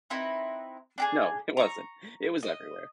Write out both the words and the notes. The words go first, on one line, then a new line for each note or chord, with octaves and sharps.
no, it wasn't. It was everywhere.
C4 D#4 E4 B4
D4 G4 G#4
A#5 C#6
D#5